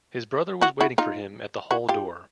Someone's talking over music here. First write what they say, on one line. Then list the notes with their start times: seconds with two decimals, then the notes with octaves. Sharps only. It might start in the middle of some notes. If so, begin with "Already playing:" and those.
His brother was waiting for him at the hall door.
0.61 E4 F#4
0.81 E4 F#4
0.98 D#4 F4
1.71 E4 F#4
1.89 F4 G4